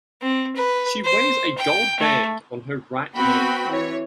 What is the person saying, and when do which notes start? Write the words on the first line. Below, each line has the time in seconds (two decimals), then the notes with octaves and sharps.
She wears a gold band on her right hand.
0.22 C4
0.56 B4
1.05 C5
1.58 G5
2.00 A3
3.16 B3 C4 F#4 G5 B5
3.70 E3 C#5